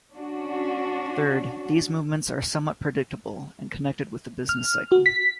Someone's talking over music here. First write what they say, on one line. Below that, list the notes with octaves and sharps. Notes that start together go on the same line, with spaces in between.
Third, these movements are somewhat predictable, and connected with the business cycle.
C#4 D4 F#4
F6
F#4
B6